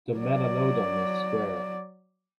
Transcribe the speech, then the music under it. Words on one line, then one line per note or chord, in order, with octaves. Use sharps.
The Metanotum is square.
F#3 D5